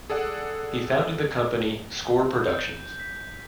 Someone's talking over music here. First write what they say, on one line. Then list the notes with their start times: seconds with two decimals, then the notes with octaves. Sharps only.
He founded the company Score Productions.
0.10 G#4 A4 D5 F#5
2.42 G6
3.00 B6